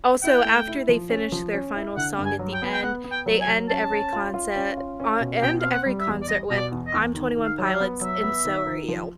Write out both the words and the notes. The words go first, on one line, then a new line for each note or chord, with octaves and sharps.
also, after they finish their final song at the end, they end every concer o end every concert with "I'm Twenty One Pilots, and so are you."
E4 G5
A3
E4
F3
C#4
F3
C#4
E4
D3 F#5
G2
G#5
F#3
G5
B3
G5
B3 F#5
B3
G5
F#3
G#5
F#3
C#4 A5
C#4
F4
F4
C#4
F4
C#4
B2
B2 G5
C4 F5
F#5
G3
E5
E2
D5
G3 D#5
B2 D#5
D5
E2
D#5
E2
D#3
D#3
F5
F#3 E5
F5
B3
F#3 E5
B3
D#3
D#3
F3